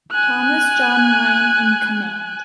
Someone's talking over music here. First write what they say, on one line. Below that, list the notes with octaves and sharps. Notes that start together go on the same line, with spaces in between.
Thomas John Ryan in command.
G#5 F#6